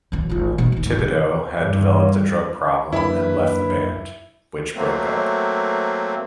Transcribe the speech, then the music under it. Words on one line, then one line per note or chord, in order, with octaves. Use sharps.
Thibodeaux had developed a drug problem and left the band, which broke up.
F#2 E3
G#1 F4
B2 D#4
E3 D#4
G#2
C3
G2
F#2 A#3 D4 E4 B4 B5
F#3 A3 A#3 C4